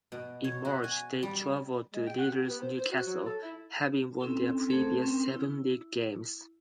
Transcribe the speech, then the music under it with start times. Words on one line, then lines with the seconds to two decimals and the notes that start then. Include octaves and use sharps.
In March they travelled to leaders Newcastle, having won their previous seven league games.
0.12 B2
0.44 C#5
0.65 F#4
0.84 G#5
1.23 G3
1.93 G#3
2.07 G5
2.18 F#5
2.31 G4
2.49 B3
2.61 C5
2.78 C5
2.91 F#4
3.06 F#3
3.26 A4
3.42 E4
4.20 C4 C#4 E4 A4
4.70 A3 C4 G#4 A4 C5 A5
5.02 C4 C#4 A#4
5.28 E4